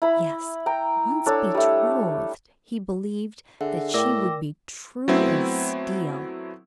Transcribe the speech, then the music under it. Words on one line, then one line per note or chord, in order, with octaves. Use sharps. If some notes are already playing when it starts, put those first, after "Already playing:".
Yes, once betrothed, he believed that she would be true as steel.
E4 B5
G5 A#5
D4 A4 C#5
G3 A3
D3 G#4 E5 F#5
A2 A#4 D5 G5 D6 E6 A#6
F#3 A3 B3 C4 E4